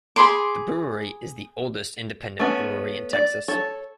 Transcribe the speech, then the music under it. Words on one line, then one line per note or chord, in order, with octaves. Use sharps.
The brewery is the oldest independent brewery in Texas.
G#4 B5 C6 D6
A3 B3 C#4
D5
A4 C#5